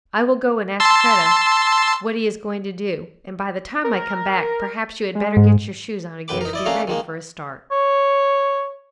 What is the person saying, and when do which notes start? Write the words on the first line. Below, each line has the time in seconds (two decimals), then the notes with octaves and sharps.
I will go and ask Kreta what he is going to do, and by the time I come back perhaps you had better get your shoes on again, and be ready for a start.
0.80 A5 C6 E6
3.84 A#4
5.15 G#3
5.37 G#2
6.28 B1 F#2 B4 G5 B5 D6
6.41 D#4 A#4
6.53 E4 D5 D#5
6.66 A3 A#3 C#4 D4 A#4 F5
6.87 D#3 G#3 A#3
7.72 C#5